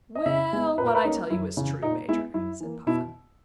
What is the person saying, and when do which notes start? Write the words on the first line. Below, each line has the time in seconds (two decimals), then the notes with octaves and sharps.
"Well, what I tell you is true, Major," said Puffin.
0.15 D#5
0.26 C#3 E5
0.53 G#3 B3
0.78 A#2 B4
0.86 A#4
0.95 B4
1.04 A#3 C#4 D#4
1.30 F#2 E4
1.57 C#3 E3
1.82 A#2 D#4
2.08 G#3 B3 E4
2.34 F#2 E4
2.60 E3 A#3
2.87 B2 E4